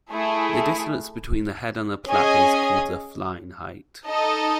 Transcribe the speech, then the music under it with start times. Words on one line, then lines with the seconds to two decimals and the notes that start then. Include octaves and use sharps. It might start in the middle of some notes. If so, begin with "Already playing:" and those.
The distance between the head and platter is called the flying height.
0.11 A3 E4 G#4
2.08 C#4 G#4 D#5 G#5
4.06 D#4 A4 D#5 A5